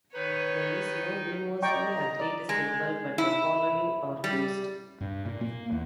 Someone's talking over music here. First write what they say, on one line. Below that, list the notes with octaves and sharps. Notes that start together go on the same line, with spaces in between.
There is no universally agreed symbol but the following are used.
D#3 D#4 B4 C#5
D5 D#5 G5 A#5 C#6
D5
G#3
E4
G3
G2
A#2
A#3
E2